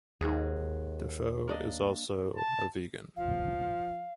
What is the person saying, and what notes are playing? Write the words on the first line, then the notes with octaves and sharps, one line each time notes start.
Defoe is also a vegan.
D#2 G#2 F#4 G#4
A#3 D4 D#5
A5
F3 F5